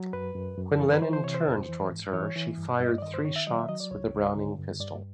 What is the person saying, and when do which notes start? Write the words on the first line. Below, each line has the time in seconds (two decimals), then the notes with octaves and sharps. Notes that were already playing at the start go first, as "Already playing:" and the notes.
When Lenin turned towards her, she fired three shots with a Browning pistol.
Already playing: F#3
0.13 F#2 B4
0.35 F#2
0.58 F#2
0.80 E3 A4
0.91 B4
1.02 E3 C5
1.13 C5
1.24 C3 C#5
1.34 C5
1.47 F2
1.69 E3
1.91 G#2
2.14 E3 C#5
2.36 E3
2.57 G2
2.80 G2 D#5
2.98 D5
3.02 D#3 D#5
3.14 C5
3.24 D#3 C#5
3.36 E5
3.47 F#3 D#5
3.59 E5
3.69 F#3 D#5
3.80 D5
3.91 C#2 C#5
4.14 C#2
4.35 D3
4.58 G2
4.80 G2 D5